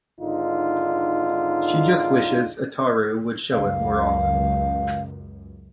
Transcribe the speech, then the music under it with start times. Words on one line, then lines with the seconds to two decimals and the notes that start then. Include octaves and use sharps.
She just wishes Ataru would show it more often.
0.20 G#1 G#2 D3 D#4 F4
3.52 C#2 F#2 F5